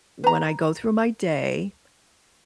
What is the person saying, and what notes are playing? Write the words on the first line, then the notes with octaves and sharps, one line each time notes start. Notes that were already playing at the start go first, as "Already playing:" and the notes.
when I go through my day,
B4 A#5